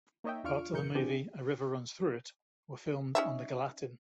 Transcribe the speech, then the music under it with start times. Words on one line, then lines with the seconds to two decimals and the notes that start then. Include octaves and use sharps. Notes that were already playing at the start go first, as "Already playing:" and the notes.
Parts of the movie "A River Runs Through It" were filmed on the Gallatin.
0.24 A#3 D#4 C#5 D#5 E5 G5
0.44 E2 D4 F4 C#6 F6 D7
0.73 F#2 B2 E3 A#4 G6 C#7
0.95 E3 C4 D4 G4 G#4
3.15 C#4 D#4 E5